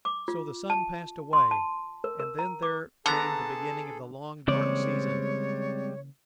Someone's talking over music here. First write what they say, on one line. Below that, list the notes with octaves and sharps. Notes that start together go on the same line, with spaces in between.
So the sun passed away, and then there came the beginning of the long dark season.
D6
F4
A5
C6
A5
A#4
A#4
A#5
D6
D3 B3 G#4 A4 A5 A#5
C#3 E3 G3 G#3 A#3 C4 C#5 D5